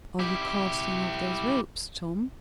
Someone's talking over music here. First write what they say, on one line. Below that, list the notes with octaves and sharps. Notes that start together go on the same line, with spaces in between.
Are you casting off those ropes, Tom?
E4 G4